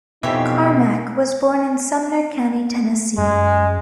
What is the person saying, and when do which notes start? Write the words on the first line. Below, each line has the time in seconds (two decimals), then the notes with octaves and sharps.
Carmack was born in Sumner County, Tennessee.
0.23 F2 B2 E3 C4 D#4 G4 C#5 E5
3.18 F#2 G#3